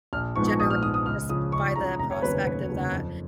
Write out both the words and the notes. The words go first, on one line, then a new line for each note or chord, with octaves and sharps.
generate sp by the prospect of that,
A#1 F6
G#2 F3 G#3 B3 C#6
C#6
A#1 D#6
F6
G#2 F3 G#3 B3 D#6
D#6
C#2 F6
C#3 F3 D#6
C#2 C#6
C#3 F3 A#5
F1 A#5
C#5
D#2 C#3 F#3 C#4 B4
B4
F1 B4
D#2 C#3 F#3 C#4
F2